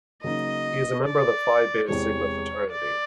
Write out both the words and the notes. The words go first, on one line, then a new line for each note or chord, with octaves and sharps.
He is a member of the Phi Beta Sigma fraternity.
C#3 F#3 A#3 D#4 D#5
D5
E2 C3 E3 G#3 C#5
D5